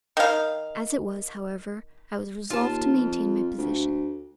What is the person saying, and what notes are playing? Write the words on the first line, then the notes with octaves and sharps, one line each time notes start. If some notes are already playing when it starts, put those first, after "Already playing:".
As it was, however, I was resolved to maintain my position.
D#3 F5
D#2 F4 A5
F2
D2